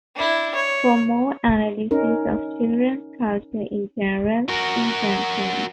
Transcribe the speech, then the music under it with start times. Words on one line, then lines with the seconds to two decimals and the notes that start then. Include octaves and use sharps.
For more analysis of children's culture in general, see Jenkins.
0.15 D4 E4
0.55 C#5
1.91 C#4 D#4 A#4
4.49 F#4 A#4